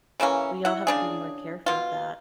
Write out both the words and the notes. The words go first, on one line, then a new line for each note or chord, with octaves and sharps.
We all have to be more careful of that.
C#3 E3 A#3 C#4
E4 F#5
C#3 D4 G#4
B2 F4